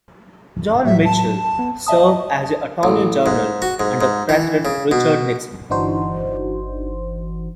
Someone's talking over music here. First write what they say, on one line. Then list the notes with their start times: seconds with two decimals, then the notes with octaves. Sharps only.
John Mitchell served as Attorney General under President Richard Nixon.
0.85 A2 F#3 E5
1.05 A5
1.17 A5
1.59 B3
1.87 D#5 E5 A5 D#6
2.83 A1
3.26 G#2
3.62 F#4
3.80 G#2
4.01 G#2
4.29 E3
4.65 C#3
4.91 B2
5.70 G1 E3 D4 D#4 F#4 C5